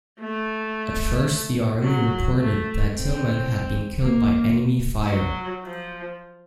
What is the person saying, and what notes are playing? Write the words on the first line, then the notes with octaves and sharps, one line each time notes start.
At first, the Army reported that Tillman had been killed by enemy fire.
A3
F#3
A3
C4
A#3
F#3
F3